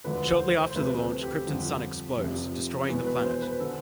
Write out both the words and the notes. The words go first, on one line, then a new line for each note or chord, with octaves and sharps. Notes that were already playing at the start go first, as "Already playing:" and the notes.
Shortly after the launch, Krypton's sun explodes, destroying the planet.
E1 D2 D3 F3 B4
C5
C5
D2 C3 F3 B4
A4
G4
G1 F2 D3 F3
F1 F2 C3 F3
E1 E2 B2 B4
B4
C5
B4
D3 A4